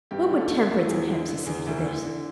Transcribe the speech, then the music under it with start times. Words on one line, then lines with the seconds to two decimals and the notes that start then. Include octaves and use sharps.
"What would Temperance and Hepsey say to this?"
0.11 G2 G4
0.31 D3
0.37 A4
0.50 D3
0.58 D4
0.63 E4
0.69 G2
0.89 E2
1.08 D3
1.28 D3
1.46 E2
1.66 D2 E4
1.85 D3
2.05 D3